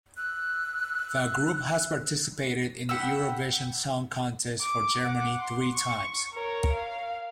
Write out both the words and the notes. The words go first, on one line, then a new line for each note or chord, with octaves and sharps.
The group has participated in the Eurovision Song Contest for Germany three times.
E6 F#6
F#5 G5 B5 E6
D6
F#5 D6
C6
C#6
A#4 C#5
F5